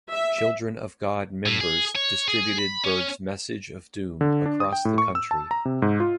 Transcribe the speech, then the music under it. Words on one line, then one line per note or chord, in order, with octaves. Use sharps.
Children of God members distributed Berg's message of doom across the country.
E5
A2
G#4
C#5
G#4
B5
C#4
D3
D4
D#6
G5
A2
C#6
E6
A5
A#5
C3
G#2
F4